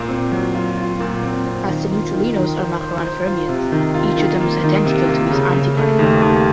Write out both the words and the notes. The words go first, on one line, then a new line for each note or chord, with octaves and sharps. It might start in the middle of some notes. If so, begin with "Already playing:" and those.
As the neutralinos are Majorana fermions, each of them is identical to its antiparticle.
Already playing: A#2
C4
F#3
F4
F4
A#2
C4
C4
D#3
F4
D#3
D#3
C5
C5
C5
F4
C3
D#3
F4
D#3
A#3
D#3
C3
A#3
C#3
C#3
A3
D#2
D#2